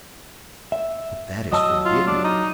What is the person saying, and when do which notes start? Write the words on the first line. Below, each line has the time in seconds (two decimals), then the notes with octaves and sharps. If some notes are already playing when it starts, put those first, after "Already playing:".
But that is forbidden!
0.72 E5
1.52 F#3 D#5 A5 E6
1.85 F4
2.08 D4
2.25 D#4